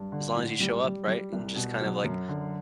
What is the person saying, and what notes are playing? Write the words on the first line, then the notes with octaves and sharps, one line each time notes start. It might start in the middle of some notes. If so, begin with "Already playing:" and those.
As long as you show up, right, and just kind of, like,
Already playing: G2
D3
A2
G3
G3
G3
C2
B2
F#3
F#2
D3